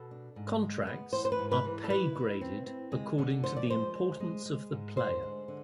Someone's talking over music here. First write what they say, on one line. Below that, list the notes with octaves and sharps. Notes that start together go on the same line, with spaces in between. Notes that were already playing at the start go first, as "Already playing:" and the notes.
Contracts are pay graded according to the importance of the player.
Already playing: B2 A4
D4
G#2
G#3
B3
E3 C5
C5
B4
G#2
B4
E3
A4
E4 B4
E4
C4
C4
G#3
D3
F3 C5
D5
G#3 C5
G#3
G#3
G#3
G#2
D3 C5
G#3
D3